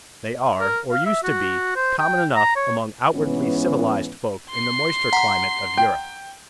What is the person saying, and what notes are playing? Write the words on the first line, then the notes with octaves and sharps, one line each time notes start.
They are, or used to be, common enough among outwardly civilised folk in the moister climate of Europe.
A#4
F5
E5
F#4
C5
G5
A#5
C#5
G#2 E3 B3 C#4
C6 C7
F#5 A#5 B6
G5